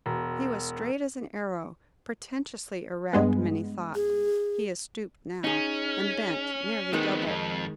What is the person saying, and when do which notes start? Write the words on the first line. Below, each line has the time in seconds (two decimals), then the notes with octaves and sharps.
He was straight as an arrow--pretentiously erect, many thought; he is stooped now, and bent nearly double.
0.06 E1
3.13 G2 G#3 B3
3.95 G#4
5.44 C#4 D#4 G#4
6.93 D#3 G#3 B3 C4 D#4
7.27 F2